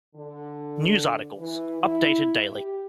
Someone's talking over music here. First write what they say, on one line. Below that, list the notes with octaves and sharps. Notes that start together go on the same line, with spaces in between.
News articles, updated daily.
D3
E3
E4
G4